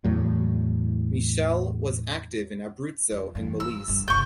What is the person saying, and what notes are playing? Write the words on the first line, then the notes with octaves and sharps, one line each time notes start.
Michele was active in Abruzzo and Molise.
E2 A2 F#3
F2
E2 G2
F3 E6
G1 G2
F#1 C2 C#6 G6